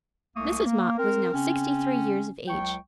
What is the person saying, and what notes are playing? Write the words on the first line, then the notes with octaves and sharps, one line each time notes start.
Mrs. Mott was now sixty-three years of age.
C2 A3 A#3 C#6 D#6
A#3
C4 A#4
C#3 C4 C#4
C#2 F#3 G5 C#6